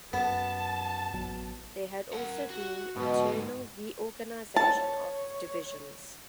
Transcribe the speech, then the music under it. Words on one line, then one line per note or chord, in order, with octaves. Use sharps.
There had also been internal reorganisation of divisions.
F#2 B3 A5
A1 F#3 B3
A#4 F#5
F#4
G#2 B2 B3
C#5 A5